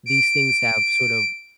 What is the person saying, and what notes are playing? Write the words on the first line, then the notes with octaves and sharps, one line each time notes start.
These things have sort of,
D7